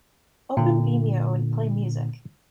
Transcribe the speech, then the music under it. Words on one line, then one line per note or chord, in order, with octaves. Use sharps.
Open Vimeo and play music.
A#2 D3